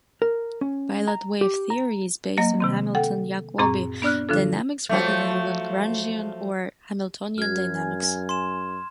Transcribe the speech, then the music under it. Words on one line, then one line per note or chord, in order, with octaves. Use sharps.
Pilot Wave theory is based on Hamilton-Jacobi dynamics rather than Lagrangian or Hamiltonian dynamics.
A#4
C#4
A#5
G4
A#5
F#3 A#3 D#5 A#6
C3 D#3 C4
A4 F#5 G5
F#2 A#2 C4 G#4 A#5 C#6
B3 D4 D5 F6 F#6
D3 F3 D4 F4 A4
F3 F#3 A3
F#2 F#4 F6 G#6
G#5
C6 E7